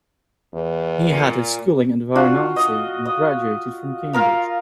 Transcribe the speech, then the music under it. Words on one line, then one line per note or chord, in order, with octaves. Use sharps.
He had his schooling at Varanasi and graduated from Cambridge.
E2
A#2
D4 F4 F#4
D#5
D#5
F4 A#4 F5